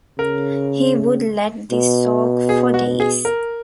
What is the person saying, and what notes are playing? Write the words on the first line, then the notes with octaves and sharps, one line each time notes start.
He would let this soak for days.
C#3 A#4
B2
G#4
F#4
G#4
A#4